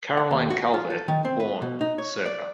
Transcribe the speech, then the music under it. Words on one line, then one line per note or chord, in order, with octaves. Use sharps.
Caroline Calvert, born circa.
F#5
D#2
F#4
F4
A4
D#3
C4
B4
B2
D#4
C#5
D5